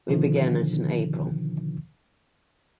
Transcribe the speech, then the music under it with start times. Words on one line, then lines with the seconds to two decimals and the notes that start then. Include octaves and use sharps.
We began it in April.
0.09 B2 D3 D#3 F3